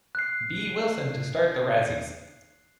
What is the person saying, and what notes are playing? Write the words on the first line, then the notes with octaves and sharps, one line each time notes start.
B. Wilson to start the Razzies.
F#6 C7